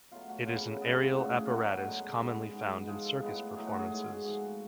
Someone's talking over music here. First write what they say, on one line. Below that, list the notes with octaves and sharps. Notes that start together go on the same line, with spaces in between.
It is an aerial apparatus commonly found in circus performances.
B2 F#3 A3 F4
F#4
C#3 F#3 B3 F4
C#3 F3 G#3 B3
A2 F3 A3 F#4
G#4
B2 F#3 A3 F4 F#4
F#2 D3 G#3
B2 G#3 B3
G#2 G#3 B3
G#2 F3 G#3 G#4
A4
A2 G#3 B3
A2 F#3 A3 G#4
F#4
G#4
G#2 G#3 B3 G#4
F#4
G#2 F3 A3 F#4